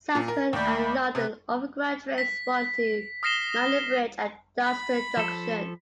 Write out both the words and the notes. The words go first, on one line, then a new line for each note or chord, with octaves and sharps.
Southern and London Overground trains run to London Bridge and Dalston Junction.
A#2
A#4
D#2 A3 D5 G5 B5
C3 B4
B6
D#6 F6 A#6 C7 E7 G7
B5
F3 A4